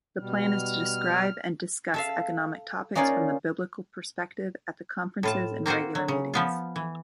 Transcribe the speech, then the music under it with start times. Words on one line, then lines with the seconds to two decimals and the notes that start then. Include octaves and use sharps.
The plan is to describe and discuss economic topics from a biblical perspective at the conferences and regular meetings.
0.19 B2 G3 F6
1.94 A4 E5 F5
2.95 A#3 C#4 D#4 F4 C#5 D5
5.23 A2 F4 A5
5.66 A#3 C4 F4 F#4 C5
5.95 F#3
6.08 C#3
6.34 F3 B3 F4
6.76 E3